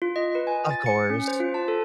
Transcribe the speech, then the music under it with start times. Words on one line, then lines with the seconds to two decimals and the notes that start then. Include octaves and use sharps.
Of course.
0.02 F4
0.16 D#5
0.35 B4
0.47 G#5
0.71 A6
0.86 C#7
1.10 C#4
1.28 C5
1.40 F4
1.54 A5
1.68 A4